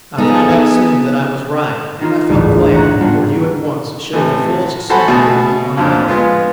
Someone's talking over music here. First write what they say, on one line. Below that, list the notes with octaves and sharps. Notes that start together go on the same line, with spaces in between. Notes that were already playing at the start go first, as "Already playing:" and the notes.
I found out soon that I was right, and I felt glad, for you at once showed the fullest sympathy with one another.
B3 D#4 G#4 A4
D#4 F4 A#4
A1 D2 G#2
C#5 F#5 A#5
G3 B3 D4 F4 F#4
A2 C3 E3
F#4 A4 C5 F#5 G#5 B5
B2 A3 G#4
F2 A#2 D3 F3
G#3 B3 F4